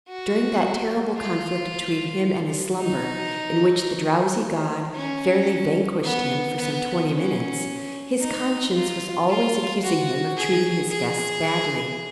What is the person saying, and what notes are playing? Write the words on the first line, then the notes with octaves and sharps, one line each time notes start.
During that terrible conflict between him and his slumber, in which the drowsy god fairly vanquished him for some twenty minutes, his conscience was always accusing him of treating his guests badly.
F#4
F4
D#4
C#4
B3
B3
C#4
D#4
F4
F4
F#4
G#4
G#4